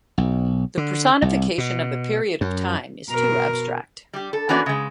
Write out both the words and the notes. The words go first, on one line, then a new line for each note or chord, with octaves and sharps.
The personification of a period of time is too abstract.
B1
D3
C2
B2
F#2
B2 A#4
G3 G4
A4
E3 A#3 B3 C#4 F#4 D5
C#3 G#3